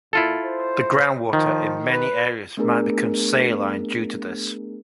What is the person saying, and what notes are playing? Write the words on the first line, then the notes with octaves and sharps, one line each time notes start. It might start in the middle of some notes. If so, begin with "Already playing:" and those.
The groundwater in many areas might become saline due to this.
A#2 E4 F4 A4
C5
D#3 F3
B4
A3 B3 D4 G#4 A#4